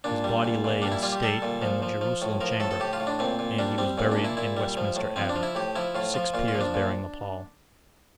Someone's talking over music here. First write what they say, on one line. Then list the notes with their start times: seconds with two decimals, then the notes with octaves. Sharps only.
His body lay in state in the Jerusalem Chamber, and he was buried in Westminster Abbey, six peers bearing the pall.
0.04 A#2 D4
0.24 G3
0.45 A#2
0.64 A#2
0.82 G3 D4
0.92 E4
1.03 G3 F4
1.12 G4
1.23 G3 A4
1.42 A#2
1.62 F3
1.82 F3
2.01 F3
2.22 A2
2.41 F3 A#4
2.60 A2 A4
2.71 A4
2.80 A2 G4
2.93 F4
3.00 A2
3.07 D4
3.19 A#2 C4
3.39 A#2
3.58 G3 D4
3.78 G3 C4
3.98 A#2 C4
4.12 D4
4.17 A#2
4.24 E4
4.37 A#2 E4
4.57 G3
4.77 F3
4.96 A2
5.16 F3 C4
5.29 D4
5.36 F3
5.43 E4
5.55 A2 G4
5.76 F3 E4
5.95 A2 F4
6.14 F3 F4
6.34 A#2 F4
6.48 F4
6.55 F3
6.61 D4
6.74 A#2